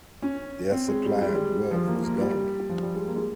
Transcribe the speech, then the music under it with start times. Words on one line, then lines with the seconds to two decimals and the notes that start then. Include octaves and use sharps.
Their supply of grub was gone.
0.22 C#4
0.72 C4
0.88 G#3
1.05 G3
1.21 G3
1.29 G#3
1.35 G3
1.71 F3
1.87 A#3
2.04 A#3
2.21 G3
2.69 F3
2.83 G3
2.95 G#3
3.08 A#3
3.16 G#3